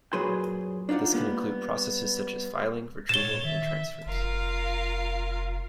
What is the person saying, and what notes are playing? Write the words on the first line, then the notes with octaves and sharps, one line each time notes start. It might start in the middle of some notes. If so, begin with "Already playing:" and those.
This can include processes such as filing, retrieval and transfers.
F#2 A#2 F#3 G#4 B4 C6
D4 D#4 F4 D5 F#5
G3 A#3 B3
A#2 C#5 A6 E7 G7
D#3 E5
F1 F4 A#4 F5